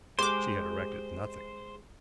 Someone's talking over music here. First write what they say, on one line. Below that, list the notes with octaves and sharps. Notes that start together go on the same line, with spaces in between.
She had erected nothing.
G#3 G4 G#4 C5 C6 D6